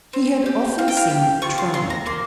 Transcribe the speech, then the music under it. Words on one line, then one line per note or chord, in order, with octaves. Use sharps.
He had often seen it tried.
C4
G4
G4 F5
G5
F5
G4
F4 C#6
C6
F4 C6
A#5
A#3 C6